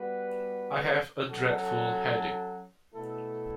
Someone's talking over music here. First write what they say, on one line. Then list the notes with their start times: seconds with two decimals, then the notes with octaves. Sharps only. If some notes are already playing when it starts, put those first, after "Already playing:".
I have a dreadful headache.
Already playing: G3 B3 F#4 B4
1.28 F#3 C#4 F#4 A4
2.93 B2 A3 E4 A4